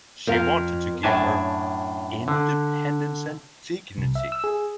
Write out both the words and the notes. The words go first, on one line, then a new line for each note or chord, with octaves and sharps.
She wanted to give her "independence and dignity".
F2 A#4 F5
F#2 A2 D4 G#5 A5
D3
C2
E5
E6
G#4